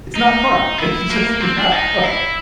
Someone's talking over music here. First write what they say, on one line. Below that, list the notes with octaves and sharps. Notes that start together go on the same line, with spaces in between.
it's not fun! It's just not fun.
D#4
E4
A#3
C4
D4
D#4
E4